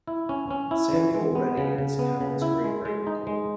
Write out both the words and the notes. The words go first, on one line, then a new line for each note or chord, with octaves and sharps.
Samuel Rettie is Cowan's great-great uncle.
E4
C#4
C#4
E4
E3
G#3
B3
C#3
C#3
B3
C#3
E4
G#3
G#3
D#4
G#3